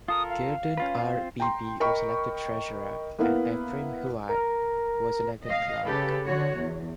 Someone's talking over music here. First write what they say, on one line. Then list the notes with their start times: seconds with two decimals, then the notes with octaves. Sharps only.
Guerdon R. Beebee was elected treasurer, and Ephraim Huyatt was elected clerk.
0.08 F4 A4 A#4 D#6
0.30 F5
0.77 C#4 F4 B4
0.99 C4 F4
1.40 G5 A#5 C6
1.80 A#4 D#5 G5 B5 C#6
3.19 A#3 B3 E4 B4 F5 F#5
4.29 A#4
5.46 D#5 F5
5.83 C#3 G4 A4 B4
6.25 D3 F#4 C#5
6.59 E2